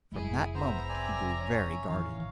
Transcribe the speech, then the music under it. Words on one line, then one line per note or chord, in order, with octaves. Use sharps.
From that moment he grew very guarded.
F1 G#3 E4 G#4
B3 C5 E5 A#5
C4 D5 G#5
C#4 C#5
A1 D#3 E3 C#4 F5